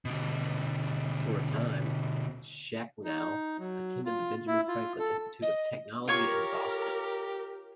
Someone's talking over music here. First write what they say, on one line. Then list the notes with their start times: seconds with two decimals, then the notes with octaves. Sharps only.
For a time, Shachnow attended the Benjamin Franklin Institute of Technology in Boston.
0.05 B2 D3
3.04 D#4
3.59 F#3
4.06 F4
4.48 E4
4.68 F4
4.99 A4
5.42 D#5
6.08 F4 G4 A#4 C#5 C#6